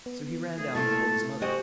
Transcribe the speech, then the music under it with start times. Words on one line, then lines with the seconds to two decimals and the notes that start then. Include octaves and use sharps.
So he ran down and told his mother.
0.06 B3
0.57 A3 G#4
0.75 A3 A#3 E4 F4 A5
1.42 F#4 G4 C5 D#5 G5 G#5